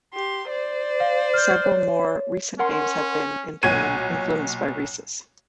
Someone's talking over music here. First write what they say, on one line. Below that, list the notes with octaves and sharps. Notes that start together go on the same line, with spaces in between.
Several more recent games have been, in turn, influenced by Risus.
G4 C6
C5 D5
F5
F6 G6
C#5
C#4 A#4 F#5 C6
B1 A#2 F#4 C#5 G#6 D#7